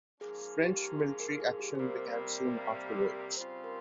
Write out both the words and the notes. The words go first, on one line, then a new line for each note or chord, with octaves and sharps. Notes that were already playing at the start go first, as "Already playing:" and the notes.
French military action began soon afterwards.
G#2 F3 A#3 C#4 G#4
G4
G#4
A#4
G#4
G4
C5
C3 G3 A#3 A#4
C#3 G3 C4 F4 C5
A#4